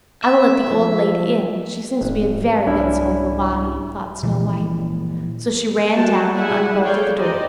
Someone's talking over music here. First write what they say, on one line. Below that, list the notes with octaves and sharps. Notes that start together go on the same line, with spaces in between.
"I will let the old lady in; she seems to be a very good sort of a body," thought Snow-White; so she ran down, and unbolted the door.
E5
F3
D1 G#1
C2 G3 C#4 D4 E4
A#2 E3 F3 G#3
G3 F#4 G5 A5
G3 E4 G#4 E5 F#5 G#5
G#4 A4 C#5 D5 F5 G5
D#4 G4 C5 D5 D#5